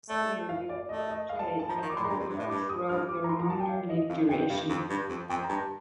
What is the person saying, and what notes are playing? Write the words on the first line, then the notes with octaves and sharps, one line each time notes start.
Centreville would play at the ballpark throughout their minor league duration.
A3 D5
F5
D5
A3 D#5
D#5
F5
A5
A5
F3 A#5
D#3
D6
A2 C6
A#5
G2
C6
F2
G2
A2
G2 D6
D#6
G2 F6
D6
A#5
C6
A#5
A5
G5
F5
D#5
F2 F5
F2 G5
G2 F5
F2
G2
F2
F2 G5
A#5
G2 A5